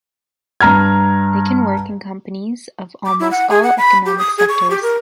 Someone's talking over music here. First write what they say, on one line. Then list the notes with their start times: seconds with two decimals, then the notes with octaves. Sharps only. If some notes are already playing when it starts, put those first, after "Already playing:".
They can work in companies of almost all economic sectors.
0.61 G2 A#5 F6 G#6
3.06 D6
3.20 E4
3.31 F#5
3.50 G#4
3.63 F#5
3.78 B5
4.06 G4
4.18 D#6
4.38 G#4
4.49 C#6
4.71 G4
4.83 A#4